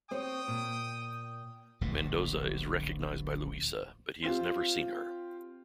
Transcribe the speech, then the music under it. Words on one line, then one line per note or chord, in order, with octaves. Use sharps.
Mendoza is recognized by Louisa but he has never seen her.
C4 C5 C#5 G5 D#6
A#2
D1 A#1 A#2 A3
C4 F4 G4